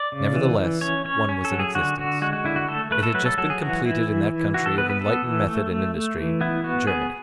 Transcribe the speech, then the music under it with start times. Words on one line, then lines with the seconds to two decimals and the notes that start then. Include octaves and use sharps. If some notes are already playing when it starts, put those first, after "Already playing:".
Nevertheless one was in existence: it had just been completed in that country of enlightened method and industry--Germany.
Already playing: D5
0.12 C#3
0.36 E3
0.58 E3
0.81 C#4 C#5
1.05 C#4 C#5
1.29 C#4
1.45 A4
1.52 F#3
1.59 G#4
1.75 D3 F#4
1.98 D3 F#4
2.22 G#3 F#4
2.33 F#4
2.44 D3 E4
2.56 F#4
2.68 A3 A4
2.91 A3 B4
3.03 A4
3.14 F#3 B4
3.26 A4
3.38 F#3 A4
3.50 G#4
3.61 E3 F#4
3.85 E3 E4
4.07 E3
4.31 E3
4.54 E3 F#4
4.66 A4
4.78 B3 B4
4.90 B4
5.01 B3 A4
5.24 E3
5.48 A3
5.71 A3
5.95 A3
6.17 E3
6.41 B3 E4
6.64 B3 F#4
6.87 B3 G#4